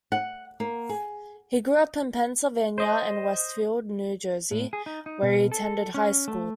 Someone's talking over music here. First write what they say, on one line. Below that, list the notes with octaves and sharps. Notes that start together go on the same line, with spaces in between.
He grew up in Pennsylvania and Westfield, New Jersey, where he attended high school.
F#5
A#3
G#4
C5 D#5
A2
G#4
D#4
D#4
B2
A4
C#4
A3